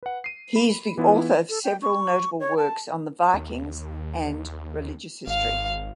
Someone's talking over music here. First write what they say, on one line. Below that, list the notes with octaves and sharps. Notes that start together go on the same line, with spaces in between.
He is the author of several notable works on the Vikings and religious history.
B4 F#5
C7 D#7
B5
E3 B3 E4 F4
A4
G5
C#6
C#5
A5
D#2
G#1 F5